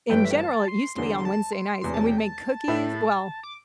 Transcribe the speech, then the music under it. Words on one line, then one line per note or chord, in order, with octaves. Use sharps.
in general, it used to be on Wednesday nights, and we'd make cookies well,
G1 G2 E3 A3 G5
E5
G5
A5
C6
E1 E2 D3 C6
C6
A5
C6
E1 E2 C3 E3 C6
A5
G5
A5
A2 A3 E4
D6